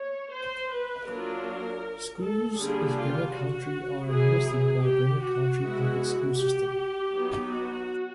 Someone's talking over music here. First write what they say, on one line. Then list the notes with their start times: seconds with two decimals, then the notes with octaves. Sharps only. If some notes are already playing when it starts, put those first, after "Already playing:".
Schools is Greene County are administered by the Greene County Public School system.
Already playing: C#5
0.31 C5
0.69 B4
1.06 F#3 A#3 D4 F4 A#4
2.19 A4
2.57 D3 G3 A#3 D4 F4 G#4
2.95 F4
3.33 F#4
4.08 F#3 B3 E4 G#4
4.46 G#4
4.83 G4
5.22 F#4
5.60 G#3 B3 E4
6.34 G4
7.11 F#3 B3 D#4
7.48 F#4